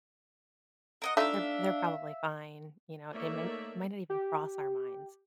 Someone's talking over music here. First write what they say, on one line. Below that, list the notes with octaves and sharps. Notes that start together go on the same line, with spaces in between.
they're they're probably fine," you know, it might n it might not even cross our minds,
A#4 D#5 F#5
A3 D4 D#4 F4 E5 F5
A3 A#3 D#4 C#5 D5 E5
G4